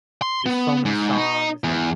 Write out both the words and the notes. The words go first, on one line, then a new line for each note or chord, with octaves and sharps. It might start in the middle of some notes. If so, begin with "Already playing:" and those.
there's so many songs, and
C6
B3
G#2
D#4
E2